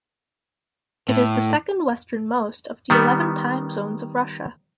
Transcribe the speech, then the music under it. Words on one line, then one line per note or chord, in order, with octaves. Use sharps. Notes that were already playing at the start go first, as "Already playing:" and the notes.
It is the second-westernmost of the eleven time zones of Russia.
A2
D#3 G3 B3